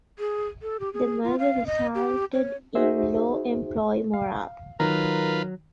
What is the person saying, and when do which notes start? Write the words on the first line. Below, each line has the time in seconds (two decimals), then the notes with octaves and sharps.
The merger resulted in low employee morale.
0.19 G#4
0.62 A4
0.80 G4
0.94 G#4
1.23 F4
1.39 F5
1.66 D#5
1.95 G4
2.33 C#5
2.75 D#4 F#4 G#4 C5 E5
4.14 F5
4.80 D#3 F#3 F4 A#4 B4 A#5